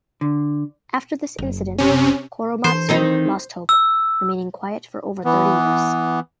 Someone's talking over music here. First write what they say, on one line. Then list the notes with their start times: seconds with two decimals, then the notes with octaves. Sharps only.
After this incident Korematsu lost hope, remaining quiet for over thirty years.
0.21 D3
1.38 F#1
1.78 C3 C#4
2.64 E3 C5
2.89 D#3 C4 D#4
3.69 E6
5.25 E3 B3